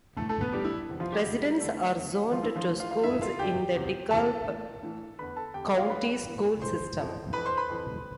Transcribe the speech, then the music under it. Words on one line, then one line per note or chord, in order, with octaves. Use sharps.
Residents are zoned to schools in the DeKalb County School System.
A2 E3 A3 A4
A3 A4
B3 B4
A2 E3 G3 G4
E4
E2 C3 E3
F3 F4
G3 G4
E2 C3 E3
E2 D3 A3 A4
E2 D3
A2 E3 F3 F4
E4
F3 F4
A2 E3
F4 F5
F4 F5
G2 D3 E4 E5
F4 F5
G2 D3 G4 G5
E2 C3 E3
E2 C3 E3 A4 A5
A2 E3
A2 E3
E2 D3 B4 B5
A4 A5
E2 D3 G4 G5
A4 A5
F4 F5
A2 E3 B4 B5
A2 E3
F2 E3 C5 C6
F2 E3
F2 E3 B4 B5
C5 C6
B4 B5
F2 E3